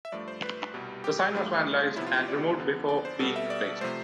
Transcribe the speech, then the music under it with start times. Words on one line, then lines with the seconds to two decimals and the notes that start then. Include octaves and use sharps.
The sign was vandalized and removed before being replaced.
0.05 E5
0.12 G2 F3 A3 D5
0.28 C5
0.43 B4
0.74 C2 B2 G3
1.04 G4
1.34 G2 F3 A3 F4
1.96 D2 C3 F3 B3 E4
2.07 F4
2.17 G4
2.28 D5
2.58 F2 D3 F3 B3
2.89 D5
3.05 C5
3.20 B2 G3 B3 A4
3.36 E5
3.50 D5
3.81 C3 F3 A3 C5